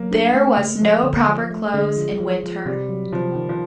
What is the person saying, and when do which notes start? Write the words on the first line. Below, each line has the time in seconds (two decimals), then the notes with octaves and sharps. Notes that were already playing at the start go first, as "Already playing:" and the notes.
There was no proper clothes in winter.
Already playing: F#3 A#3
0.11 D4
0.34 A3
0.57 C#3
0.81 F3 A3
1.03 D3
1.27 F3
1.51 A3
1.74 D3 G#3
1.97 F3
2.20 F3
2.44 F3
2.66 C3 G3
2.89 F#3
3.12 C3 F3
3.35 D#3
3.49 F3